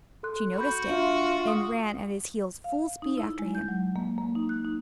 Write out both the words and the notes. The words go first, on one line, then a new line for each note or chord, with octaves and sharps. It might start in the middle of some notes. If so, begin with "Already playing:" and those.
She noticed it, and ran at his heels full speed after him.
A4 C6 F#6
F#4 B5 G6
D4 F4 E5
D#6
F5
D#4
E4
G#3
G6
F#3
A#3
A#3
D#4
F#6
D#4